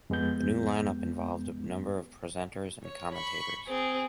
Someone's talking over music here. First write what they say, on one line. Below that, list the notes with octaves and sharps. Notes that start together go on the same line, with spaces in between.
The new line-up involved a number of presenters and commentators.
F2 G#3 B3 G6
C#5
B5 C#6
C4 G#4